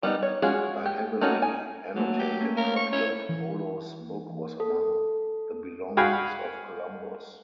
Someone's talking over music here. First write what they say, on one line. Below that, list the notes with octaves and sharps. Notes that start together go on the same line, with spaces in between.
A heavily annotated copy of Polo's book was among the belongings of Columbus.
G3 B3 D#4
C#5
G#3 C#4 F4 F#4 G#4
G4
A3 A#3 C#4 D#4 F#4
G#5
F#3 A3 A#3 D4
G4
A3 A#3 C#4
A#4 F5
C#6
C#4 E4 C#5
E3
A4
F#4 G#4 F5 G5 B5